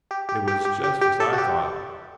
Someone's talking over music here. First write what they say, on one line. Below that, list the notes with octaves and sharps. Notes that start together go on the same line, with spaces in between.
It was just as I thought.
G4
G4
G4
G4
G4
G4
A4
F#4
G4